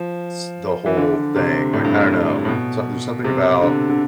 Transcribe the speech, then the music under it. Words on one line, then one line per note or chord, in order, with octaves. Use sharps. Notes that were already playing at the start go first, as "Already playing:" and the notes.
S the whole thing, like, I don't know, something there's something about.
Already playing: F3
E3
D3
C3
A2
G2
A2
A2
B2
C3
D3
D3